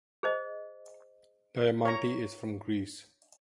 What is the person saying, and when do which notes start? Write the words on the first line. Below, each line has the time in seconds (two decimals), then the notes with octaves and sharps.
Diamanti is from Greece.
0.23 G#4 C5 D#5
1.85 C#5 A#5